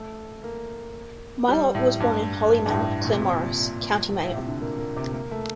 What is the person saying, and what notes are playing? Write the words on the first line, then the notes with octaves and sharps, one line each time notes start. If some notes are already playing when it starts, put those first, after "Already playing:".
Mylott was born in Hollymount, Claremorris, County Mayo.
Already playing: A3
A#3
G3
A2
G2
G2
G2
A2
A#2
C3
A#2
A#2
A2
C3
D3
A#3
A#3
C3
A#3
A3